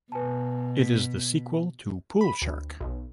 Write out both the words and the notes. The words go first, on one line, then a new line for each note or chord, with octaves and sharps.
It is the sequel to "Pool Shark".
B2 B4 G#5 A5
B6
B5
D2
B1